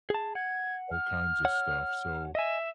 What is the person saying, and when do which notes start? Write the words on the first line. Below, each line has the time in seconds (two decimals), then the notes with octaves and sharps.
all kinds of stuff, so,
0.10 G#4 A5
0.35 F#5 G#6
0.91 F6
1.45 C#5 F#5
2.35 D#5 E5 G#5